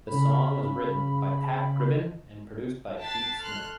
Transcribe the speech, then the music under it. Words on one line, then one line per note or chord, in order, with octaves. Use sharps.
The song was written by Pat Gribben and produced by Pete Smith.
C#3 B5
G5 A5 F#6 A6 B6 C7
A4 C6 F6 F#6